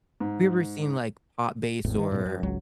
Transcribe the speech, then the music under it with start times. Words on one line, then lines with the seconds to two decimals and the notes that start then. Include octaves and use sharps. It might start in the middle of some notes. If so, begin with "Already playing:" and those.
have you ever seen, like, Pop Bass or
0.20 G#2
1.84 G#1 E2 A2
1.98 D#3
2.12 G#2 B2
2.26 F#2
2.43 G#1 C#2 F#3